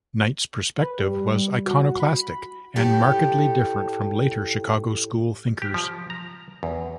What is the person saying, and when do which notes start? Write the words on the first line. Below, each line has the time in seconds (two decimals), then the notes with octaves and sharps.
Knight's perspective was iconoclastic, and markedly different from later Chicago school thinkers.
0.82 B4
0.98 G3
1.66 F#4
2.00 B5
2.76 A2 G4 A4 G5
5.62 G4
5.74 F3
6.10 A#5
6.63 E2